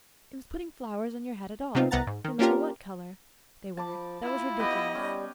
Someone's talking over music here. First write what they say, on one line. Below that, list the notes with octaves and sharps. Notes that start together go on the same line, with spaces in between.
It was putting flowers on your hat at all, no matter what color they were, that was ridiculous.
C3 B3 C4 D#4 F4
C2 B3 F#5 A#5 A6
G#2
D#3
A#3 C#4 D4 F4 G4 A#4
F3 A5 B5 D6
E4 F4
B3 G4 B4 D#5
G3 C#4 G4 B4